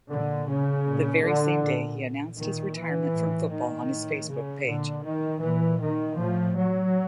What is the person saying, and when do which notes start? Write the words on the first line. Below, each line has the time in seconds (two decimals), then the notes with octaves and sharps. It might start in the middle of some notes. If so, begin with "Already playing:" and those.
The very same day he announced his retirement from football on his Facebook page.
0.10 A#2 D3
0.48 C#3
0.86 A#2
1.24 D3
1.62 A#2
2.38 A#2 D#3
2.75 E3
3.14 A2
3.52 D#3
3.90 A2
4.28 C#3
4.65 A#2 D3
5.04 D#3
5.41 A#2 E3
5.79 D#3
6.17 A2 F3
6.56 F#3